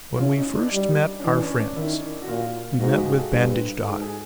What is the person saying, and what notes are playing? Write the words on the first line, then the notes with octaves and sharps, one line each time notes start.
When we first met our friends we met with bandaged eyes.
F4
C#4 E4
D#4
D4
G3
C#4
E3 D4
D4
C#4
D4
D#3 E4
F#4
A#2 F4
G#2 F#4
G4
G#4
A4
G2 C5
B4
G#2 A4
G#4